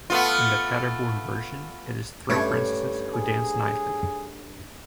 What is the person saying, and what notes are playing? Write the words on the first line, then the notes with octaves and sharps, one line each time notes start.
In the Paderborn version, it is three princesses who dance nightly.
A3 B3 F4
G2 A3 C#4
G#4